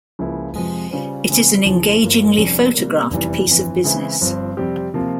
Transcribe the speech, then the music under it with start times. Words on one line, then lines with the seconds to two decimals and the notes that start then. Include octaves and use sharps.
It is an engagingly photographed piece of business.
0.19 C#2 C#3 F3 A#3 E4
0.55 F2 C3 F3 G#3
0.91 C#3 G3 C#4 F4 C5
1.28 C#3 E3 G#3 C4
1.65 E1 E2 C#3 F3
2.02 G1 G2 F3 A#3
2.37 F1 F2 C3 G3 C#4
2.74 C3 G3 A#3
3.10 F1 E2 C3 E3 G3
3.47 G1 F2 E3
3.84 C#3 E3 G#3 C4 E4
4.21 G1 G2 F3 C4
4.57 F2 C3 G3 C4 G4
4.94 C3 F3 A#3 F4